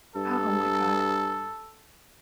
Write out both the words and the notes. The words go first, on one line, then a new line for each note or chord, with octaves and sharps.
Oh my god.
G2 A4